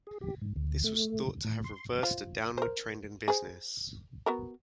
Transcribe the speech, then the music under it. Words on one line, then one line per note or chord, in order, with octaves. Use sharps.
This was thought to have reversed a downward trend in business.
G#4
G4
G#2
D2
A3
A2
C6
F4 C5
A#4 C5
G#4 C5
B3 F#4 A#4